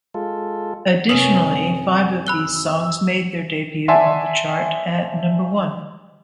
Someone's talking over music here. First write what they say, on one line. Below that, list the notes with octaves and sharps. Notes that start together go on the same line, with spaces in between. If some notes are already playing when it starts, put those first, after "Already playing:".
Additionally, five of these songs made their debut on the chart at number-one.
G#3 F4 A4
F#2 C3 C#4 B4 D#6 F#7
B5 E6 F#6 G7
D5 E5 F#5 G#5 A5 C6